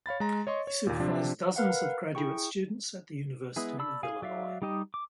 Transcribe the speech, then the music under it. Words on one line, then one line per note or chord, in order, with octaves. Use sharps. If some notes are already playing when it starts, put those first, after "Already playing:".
He supervised dozens of graduate students at the University of Illinois.
C#5 F5 B5 A6
G#3 A#5
C#5 D#5 C6 C#6
C#5
D#2 A#2
C3 F3 C4 D4
A#4 B4 F5 F#5
E4 G#4 G5 C#6
G#3 B3 E4 G#4
D5 A5 B5 E6
G#4 F5 G#5
F#3 D5 E5 F5
G3 D#4 G4 D#5
D6